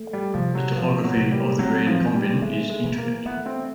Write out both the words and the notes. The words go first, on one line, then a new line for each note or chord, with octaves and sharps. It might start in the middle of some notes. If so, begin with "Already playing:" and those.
The topography of the Grand Combin is intricate.
Already playing: A3
G3
C3 F3
F#3
E3 F3
F#3
C3
G3
F#3 C4
F3
E3
G3
G#3 A3
G#3
E3
A#3
A3 B3
C4